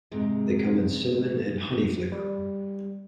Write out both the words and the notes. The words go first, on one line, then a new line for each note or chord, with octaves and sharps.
They come in cinnamon and honey flavor.
G#2 C3 G#3
G3